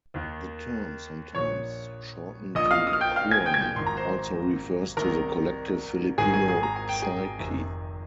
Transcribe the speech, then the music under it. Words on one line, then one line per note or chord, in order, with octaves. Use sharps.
The term, sometimes shortened to "Juan", also refers to the collective Filipino psyche.
D#2 D#3
A#1 A#2 C#5 C#6
A#1 A#2 D#5 D#6
D#6
F5 F6
D#6
F6
G5 G6
F5 F6
G#5 G#6
G5 G6
G#6
G5 G6
G#1 G#2 D#3 C6
A#5
C5 C6
C2 C3 D#3 A#4 A#5
G#1 G#2 D#3 G#4 G#5
G#4 G#5
G#4 G#5
A#5
G#5
G5
G#4 G#5
F1 F2 C3 D#3